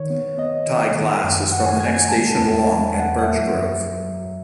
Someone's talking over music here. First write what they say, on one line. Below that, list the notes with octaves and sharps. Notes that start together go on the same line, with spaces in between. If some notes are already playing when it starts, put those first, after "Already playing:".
Ty Glas is from the next station along at Birchgrove.
Already playing: D#3 C#5
B3
B3 D#5
D#3
D#3
F#2
F#2 F#5
G#5
A3 G#5
G#5
G#3 A5
E2 A5
E2 G#5
E2 F#5
F#5
F#3 E5
F#2
F#3
F#3